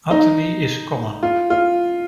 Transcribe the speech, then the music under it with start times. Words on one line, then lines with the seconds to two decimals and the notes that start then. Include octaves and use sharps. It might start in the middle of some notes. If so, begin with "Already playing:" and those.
Atemi is common.
0.11 D#4
1.23 F4
1.50 F4